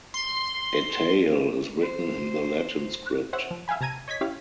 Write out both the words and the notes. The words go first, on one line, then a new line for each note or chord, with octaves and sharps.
Atayal is written in the Latin script.
C6
C5
C5 C#5 E5 F#5
F3
E5 F5 G5 G#5 B5
C3 A5 A#5 G#6 D#7
C#5 D#5 G#6 B6
C#4 E4 G4 F5